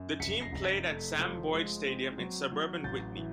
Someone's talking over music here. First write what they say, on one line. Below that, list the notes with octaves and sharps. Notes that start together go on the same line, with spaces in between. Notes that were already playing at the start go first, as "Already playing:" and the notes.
The team played at Sam Boyd Stadium in suburban Whitney.
Already playing: F#2
F1 B6 C#7
A#6 C7
F1 A#6
A6 B6
A3
F3
G#3
C4
F#3
F#3
A1 G6 A6
E3